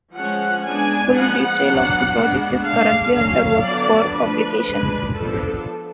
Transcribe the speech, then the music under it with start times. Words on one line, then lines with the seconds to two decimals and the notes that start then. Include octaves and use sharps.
Full detail of the project is currently under works for publication.
0.13 F3 G#3 C#4 F#5
0.63 G#3 B3 D4 G#5
1.14 F3 G#3 B3 F#5
1.63 F#3 B3 D4
2.14 G#3 B3 D4
2.64 D3 G#3 D4 F5
3.14 F#3 C#4 F5
3.64 D3 F#3 B3 D4 D5
4.14 F3 A3 D4 B4
4.64 G#3 D4
5.14 F3 B3 D4 A4